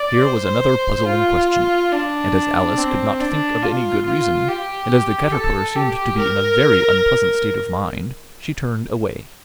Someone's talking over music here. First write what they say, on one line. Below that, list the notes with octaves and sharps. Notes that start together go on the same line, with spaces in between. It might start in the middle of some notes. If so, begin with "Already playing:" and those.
Here was another puzzling question; and as Alice could not think of any good reason, and as the Caterpillar seemed to be in a VERY unpleasant state of mind, she turned away.
Already playing: D5
C5
F4
D4
C4
D4
F4
F4
G4
A4
G4
A#4